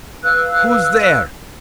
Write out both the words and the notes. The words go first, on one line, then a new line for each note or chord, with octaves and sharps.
'Who's there?
B4 F5 E6 F#6